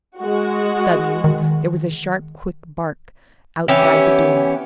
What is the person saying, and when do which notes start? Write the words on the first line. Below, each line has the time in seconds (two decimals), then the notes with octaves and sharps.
Suddenly there was a sharp, quick bark outside the door.
0.19 G#3 F#4
1.24 D#3
3.68 E3 B3 C#4 G4